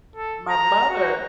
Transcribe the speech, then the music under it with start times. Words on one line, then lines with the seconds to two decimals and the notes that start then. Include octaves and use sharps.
My mother,
0.16 A4
0.50 A#5
0.90 F#4